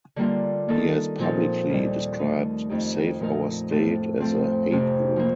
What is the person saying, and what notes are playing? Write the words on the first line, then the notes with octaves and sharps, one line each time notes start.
He has publicly described Save Our State as a 'hate group'.
D3 G3 A#3 F4
D#3 A#3 D#4 A4
A#2 F3 C4 D#4 A4
D#2 D#3 G3
D#3 A3 D#4
F2 D#3 A3 D#4 G4
A#2 F3 A3 D#4 A#4
A2 A3 C4
F3 A3 C4
F2 C3 F3 A3
F3 A#3